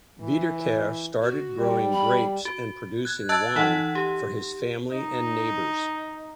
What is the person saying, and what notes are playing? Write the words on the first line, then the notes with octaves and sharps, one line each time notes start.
Wiederkehr started growing grapes and producing wine for his family and neighbors.
E3
F#4
G3
B5
F#4
F#6 G#6
D#5 A5 E6 F#6 A6
E3 D#4 D#5 F#5
G4
D#4